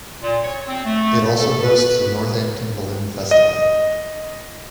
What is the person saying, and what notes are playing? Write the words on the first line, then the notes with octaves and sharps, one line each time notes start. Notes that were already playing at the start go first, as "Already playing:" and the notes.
It also hosts the Northampton Balloon Festival.
A#2
C#5
C4
A3
A4
B4
D#5